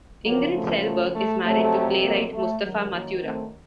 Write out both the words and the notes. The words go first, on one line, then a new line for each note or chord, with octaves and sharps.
Ingrid Selberg is married to playwright Mustapha Matura.
F#2 C#3 F3 F#3 A#3
A3
A3
A3
F2 C3 F#3 A3
F#3 A#3
A3
F#2 D#3 F#3
F#3 A#3
A3 C4